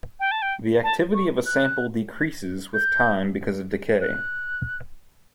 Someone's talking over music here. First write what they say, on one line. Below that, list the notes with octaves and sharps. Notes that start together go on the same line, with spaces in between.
The activity of a sample decreases with time because of decay.
G5
A5
G5
A5
C#6
F#6
G6
F#6